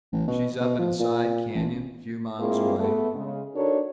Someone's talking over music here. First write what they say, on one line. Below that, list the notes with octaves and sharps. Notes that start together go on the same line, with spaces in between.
She's up in a side canyon, few miles away.
A1
B2
B2
F3
A#2
A1
G#3 A#3 C4 E4 F4 G#4
A3 B3
C#3 G#3
D4 D#4 F#4 A4 A#4 C#5